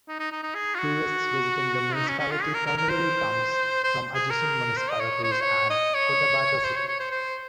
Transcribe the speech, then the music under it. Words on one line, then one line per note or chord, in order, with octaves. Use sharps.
Tourists visiting the municipality primarily comes from adjacent municipalities and Cotabato City.
D#4
D#4
D#4
D#4
G#4
F4
F#4
D#4
C#4
C#4
F4
G#4
A#4
A#4
A#4
C5
C5
G#4
A#4
C5
D#5
C#5
C#5
C5
C#5
D#5
C#5
C5
C#5
C#5
C5
C5